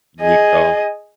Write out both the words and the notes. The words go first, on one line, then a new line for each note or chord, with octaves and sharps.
and Utah.
G#4 D#5